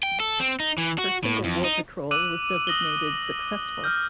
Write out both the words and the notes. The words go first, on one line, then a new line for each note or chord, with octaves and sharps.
Her single war patrol was designated "successful".
G5
A4
C4
D#4
E3
F#4
A2
F2
D#4
D6 E6 F#6 D#7 F#7
D#6 A#6 F#7 G7
F6 G6